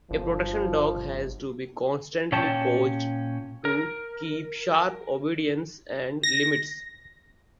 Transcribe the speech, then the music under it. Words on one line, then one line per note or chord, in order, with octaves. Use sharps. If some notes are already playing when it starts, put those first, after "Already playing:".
A protection dog has to be constantly coached to keep sharp obedience and limits.
G1 F3
A#2 C#4 C#5 G5 A5
A#4
A#6